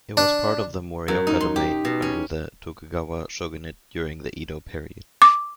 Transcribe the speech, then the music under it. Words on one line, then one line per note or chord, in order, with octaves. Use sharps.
It was part of Morioka Domain under the Tokugawa shogunate during the Edo period.
D4
F#2
D#4
C6
G4
B2
C#4
D6